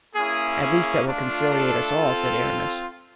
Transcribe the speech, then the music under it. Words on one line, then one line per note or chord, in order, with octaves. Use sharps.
"At least that will conciliate us all," said Aramis.
A#3 C#4 E4 G#4
G#4
A3 D4 F4
A4
C4 F4